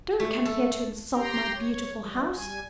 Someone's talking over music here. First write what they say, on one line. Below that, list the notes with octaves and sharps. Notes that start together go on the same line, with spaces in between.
Don't come here to insult my beautiful house.
A3
A4
G4 G5 A#5 C6
C#5
E3 G3
G3 G#5